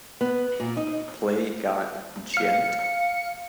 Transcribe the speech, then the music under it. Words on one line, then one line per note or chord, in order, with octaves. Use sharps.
Play Got Djent?
B3
A#2
D#4
F5 C#7